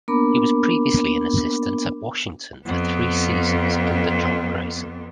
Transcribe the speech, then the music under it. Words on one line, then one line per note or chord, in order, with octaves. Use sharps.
He was previously an assistant at Washington for three seasons under John Grayson.
A#3 B3 D4 A#4 B5 D6
F2 B3